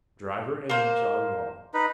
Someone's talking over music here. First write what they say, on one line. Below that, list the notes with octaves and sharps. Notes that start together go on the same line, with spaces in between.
Driver in John Long's.
A#3 C5
D#4 B4